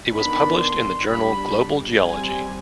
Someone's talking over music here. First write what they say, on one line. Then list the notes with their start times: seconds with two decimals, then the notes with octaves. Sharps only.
It was published in the journal Global Geology.
0.12 D#3 B3 D4 B5
0.59 C6
1.06 G3 D4 B5
2.01 G3 C4 G#5